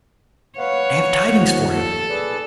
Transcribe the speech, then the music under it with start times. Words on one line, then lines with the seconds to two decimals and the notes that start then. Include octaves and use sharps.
I have tidings for him.
0.58 B4 C#5 F5 F#5
1.30 D#2 F3 F#5
1.71 A4
2.09 G#4 B4 D5